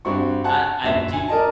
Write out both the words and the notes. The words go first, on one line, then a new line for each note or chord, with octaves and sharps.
I I do
G2 C4 F#4 C#6
F#5 G#5 A5 F#6
A#1 F#2 E5 E7
G#5
A#4 D5 D#5 A5